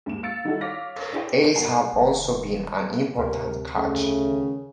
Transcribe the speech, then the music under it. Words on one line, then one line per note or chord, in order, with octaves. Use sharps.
Eels have also been an important catch.
D#2 G#2 E7
F5 E6 A6 C#7
D#3 G3 D#4 E4 F#4 A4
C#5 F5 D6 F6 A#6 B6
D4 E4 G#4 C#5 G5
G1 F#4 G#5 C7
F1 D#3
D2 C3 A#4
F2 C#3 A3
D#3